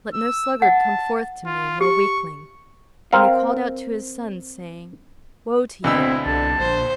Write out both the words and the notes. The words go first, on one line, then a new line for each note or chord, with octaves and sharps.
Let no sluggard come forth to me nor weakling." And he called out to his sons, saying, "Woe to you!
E6
F#5 A5
F4
G4 C#6
C4 A#4 F5
D2 B2 C4 E4 E6
C2 D3 A5
A#1 C5